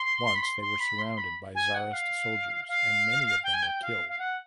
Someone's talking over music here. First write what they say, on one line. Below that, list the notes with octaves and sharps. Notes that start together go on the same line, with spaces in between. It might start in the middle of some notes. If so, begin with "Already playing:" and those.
Once they there surrounded by Tsarist soldiers and many of them were killed.
Already playing: C6
B5
C6
C6
B5
C6
B5
G#5
F#5
F5
F5
G5
G#5
G5
F5
F5
F#5